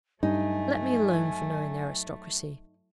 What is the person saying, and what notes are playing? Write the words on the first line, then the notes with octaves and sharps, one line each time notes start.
Let me alone for knowing the aristocracy.
G2 F#3 A3 D#4 G#5